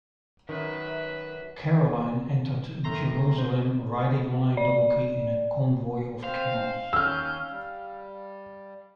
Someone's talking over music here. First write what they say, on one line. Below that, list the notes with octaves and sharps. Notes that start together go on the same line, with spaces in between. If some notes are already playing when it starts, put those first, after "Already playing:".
Caroline entered Jerusalem riding on a donkey in a convoy of camels.
F#2 D#3 B4
F#2 D#3 A3 A#5 C6 A#6
C5
D5
C4 C5 F5
D#2 C#4 E6 F6 G6
G3